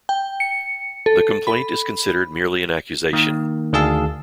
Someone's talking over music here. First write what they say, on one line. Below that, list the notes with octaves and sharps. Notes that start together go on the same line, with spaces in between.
The complaint is considered merely an accusation.
G5
C#7
A4
B5
D#3 A#3
D2 D#3 G#4 F5 A5 E6